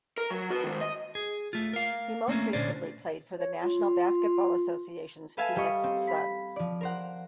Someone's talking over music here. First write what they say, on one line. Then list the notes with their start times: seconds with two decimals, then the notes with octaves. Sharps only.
He most recently played for the National Basketball Association's Phoenix Suns.
0.18 A#4
0.31 F#3
0.50 F#4 B4
0.64 D#3 G#3
0.81 D#5
1.15 G#4
1.53 A3 F4
1.73 A#4 F5
2.28 A3 A#3 C4 C#4
2.53 A#2 D3 C#4 C5 D5
3.39 C#5
3.63 F4
5.37 A4 B4 E5 F5 G#5 A5
5.56 G3 D#5 C#6
5.84 C4
6.07 B5
6.56 F3 D5
6.81 A#4 C5 F#5